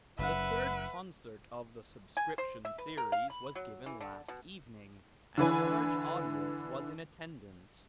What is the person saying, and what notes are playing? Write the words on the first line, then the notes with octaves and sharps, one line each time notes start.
The third concert of the subscription series was given last evening, and a large audience was in attendance.
F#1 B4 E5 F#5
G#5
C5
E5
B4
A#4
F5
B5
F#3
E3
D3
B2
D3 E3 B4 G#5